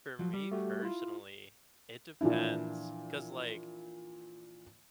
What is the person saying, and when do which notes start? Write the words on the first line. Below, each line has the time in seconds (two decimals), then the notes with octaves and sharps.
for me personally, it depends. 'Cause, like,
0.19 F3 F#3
0.33 G3
0.51 A3 F#4 G4
0.83 E4 F4
2.21 A#2 E3 F3 D4 E4